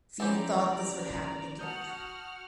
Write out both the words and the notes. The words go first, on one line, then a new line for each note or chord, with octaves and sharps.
Few thought that this would happen again.
E3 F3 C4 C#4 E4 G4 D5 A#5
F#4 F#5 A5 D#6 F6 G6